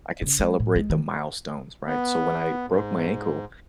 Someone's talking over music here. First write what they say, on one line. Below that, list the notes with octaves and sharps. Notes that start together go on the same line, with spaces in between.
I could celebrate the milestones, right? So, when I broke my ankle,
C#3
G#3
A2
G#3
D#3
B3
G#2